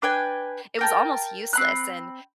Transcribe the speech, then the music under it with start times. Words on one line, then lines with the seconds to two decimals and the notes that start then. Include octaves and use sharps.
it was almost useless and
0.02 D4 B4 G5 G#5
0.79 A#4 G5 A5
1.53 C4 B5 F#6